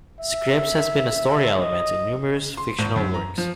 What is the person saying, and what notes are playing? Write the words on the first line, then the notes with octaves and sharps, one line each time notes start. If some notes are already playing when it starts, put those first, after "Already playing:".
Scripps has been a story element in numerous fictional works.
E5
D#5
C6
G#1
F#2
A#5
F3